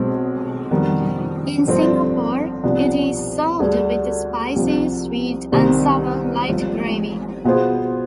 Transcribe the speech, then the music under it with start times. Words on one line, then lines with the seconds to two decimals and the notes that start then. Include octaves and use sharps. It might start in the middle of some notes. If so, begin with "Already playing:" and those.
In Singapore, it is served with spicy, sweet and sour light gravy.
Already playing: B1 B2 G#3 C4
0.71 F2 D#3 G3 B3
1.67 G1 G2 D3 F3 C4
2.64 C2 C3 F3 B3 D4
3.60 D2 D3 G3 D4 G#4
4.56 C2 C3 F3
5.52 C2 C3 D#3 G3 C4
6.49 G1 G2 F3
7.44 B2 B3 F4 G#4 C5